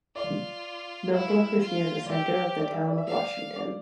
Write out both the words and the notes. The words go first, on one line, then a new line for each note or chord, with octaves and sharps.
Millbrook is near the center of the Town of Washington.
F4 D5
E4 F5
F4
D5
G4 E5
D5
E5
D5
E5
D5 F5
D5